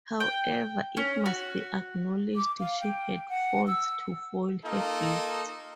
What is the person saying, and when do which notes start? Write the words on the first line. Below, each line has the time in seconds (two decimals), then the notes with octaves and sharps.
However, it must be acknowledged, she had faults to foil her gifts.
0.20 G5
0.97 C#4
1.26 F#4
2.35 D6
2.59 F5
2.80 G5
3.28 F#5
3.67 E6
4.65 A#3 D#4 F4 A4